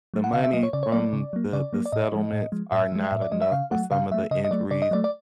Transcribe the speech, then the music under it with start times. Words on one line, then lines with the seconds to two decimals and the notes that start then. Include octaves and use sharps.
the money from the the settlements are not enough for some of the injuries
0.14 F#3 A3
0.24 F#5
0.33 C#3 F5
0.44 E5
0.53 F#3 A#3 D#5
0.63 C#5
0.73 C#3 D5
0.83 C#5
0.92 F#3 A#3 D5
1.13 C#3
1.33 F#3 A#3
1.53 C#3 D5
1.73 F#3 A#3
1.86 D5
1.92 A2 D#5
2.12 F3 G#3
2.33 A2
2.52 F3 G#3
2.72 A2 E5
2.92 F3 G#3
3.12 A2
3.22 D5
3.32 F3 G#3 D#5
3.42 E5
3.52 C#3 F5
3.71 F#3 A3 F#5
3.91 C#3 F5
4.11 F#3 A3 E5
4.31 C#3 D#5
4.44 D#5
4.51 F#3 A3 D5
4.71 C#3 D5
4.82 D#5
4.91 F#3 A3 D5
5.04 D5